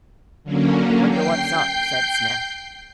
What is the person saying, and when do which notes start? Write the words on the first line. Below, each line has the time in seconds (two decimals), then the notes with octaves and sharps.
"Wonder what's up?" said Smith.
0.44 D3 F#3 A#3 C#4
1.08 G5 G6 C7